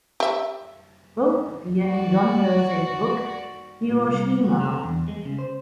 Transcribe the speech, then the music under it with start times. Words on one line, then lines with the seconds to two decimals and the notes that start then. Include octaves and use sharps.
Both appear in John Hersey's book, "Hiroshima".
0.20 G4 E5
1.86 F#4 D5
3.90 A#2
4.07 C2
4.44 F#4
4.60 D3
4.84 E2
5.08 G#3
5.25 C#3
5.39 C5